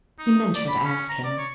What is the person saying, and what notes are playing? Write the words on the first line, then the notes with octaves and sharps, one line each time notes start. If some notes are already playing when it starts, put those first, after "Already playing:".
He meant her to ask him.
D#4
D5
B5
C#4
A#5
D5
C#5